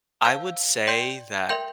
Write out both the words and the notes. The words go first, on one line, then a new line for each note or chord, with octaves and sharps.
I would say that
C5 F5 A5 E6 G6
D5 G5 C6 G6
A#4 E5 G5 C6 G6